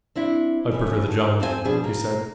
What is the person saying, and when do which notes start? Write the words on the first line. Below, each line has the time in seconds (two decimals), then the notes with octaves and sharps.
"I prefer the jungle," he said.
0.15 C4 D4 E4
0.71 E3 C#4
1.06 D3
1.40 C4 A4 C5 E5 G#5
1.65 B2 F3 D4 G#4
1.84 A#3